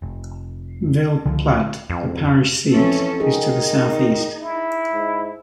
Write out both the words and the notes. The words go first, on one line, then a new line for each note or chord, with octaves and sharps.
Ville Platte, the parish seat, is to the southeast.
F1
C#2 D3 D#3 F3
F2
F2 E3 C#4 A4
D#3 D#4 G#4
E4
G#2